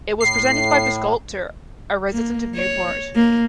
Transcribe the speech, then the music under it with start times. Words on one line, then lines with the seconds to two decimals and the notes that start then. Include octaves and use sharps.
It was presented by the sculptor, a resident of Newport.
0.21 A2 C7
2.11 A#3
2.55 C#5
3.15 A#3